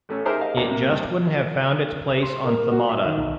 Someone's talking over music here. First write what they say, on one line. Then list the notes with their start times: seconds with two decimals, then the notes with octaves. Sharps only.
It just wouldn't have found its place on Themata.
0.09 A1 A3 C#4
0.25 D#4 G4 G#4 A#4 C5 E5
0.41 D#5 F5
0.57 D#2 A#2 A#3 D4 A#5
0.69 C3 A#3
0.87 E2 G2
2.09 F7
2.23 C6
2.44 A#4
2.72 F#4
2.89 E5
3.05 D#3
3.17 B1